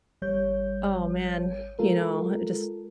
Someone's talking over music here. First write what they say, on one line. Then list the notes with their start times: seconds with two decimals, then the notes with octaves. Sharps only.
oh man, you know, just
0.22 G#1 G3 C#5 G6
1.79 G#3 F4 A4 A#4